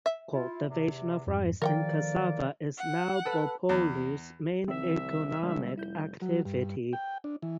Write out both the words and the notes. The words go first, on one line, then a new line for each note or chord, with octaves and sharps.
Cultivation of rice and cassava is now Bopolu's main economic activity.
E5
E4 F4
E2 C3
F2 G#2
F2 D#3 F3 A#3 A#4 D5 F#5 G5
F#5
A4 B4
E2
C2 D#3 F3 C4 E5
A#1 D3 G3 G#3
F1 E4 G6
F#3
G2
G5
D4
E3